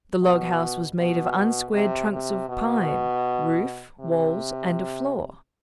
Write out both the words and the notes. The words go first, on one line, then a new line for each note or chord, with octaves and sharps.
The log-house was made of unsquared trunks of pine--roof, walls, and floor.
B2
B2
C3
C3
B2
C3